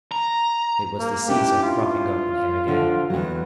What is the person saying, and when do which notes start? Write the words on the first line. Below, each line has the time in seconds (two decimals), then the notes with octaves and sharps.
It was the Caesar cropping up in him again.
0.12 A#5
0.99 A#3
1.28 C#4 D4 E4 G4
1.63 F4
2.67 D3 F3
3.10 E2 F#3